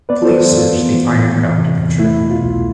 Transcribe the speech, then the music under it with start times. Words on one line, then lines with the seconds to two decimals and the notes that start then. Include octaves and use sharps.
Please search the Ironbound picture.
0.09 B3 B4 D5
0.25 A4 C5
0.30 E3
0.41 F4
0.52 F2
0.57 F4
0.72 B3
0.94 E3
1.15 A2
1.36 E3
1.57 C3
1.78 E2
1.99 A3 E4
2.20 B2
2.31 F4
2.42 C2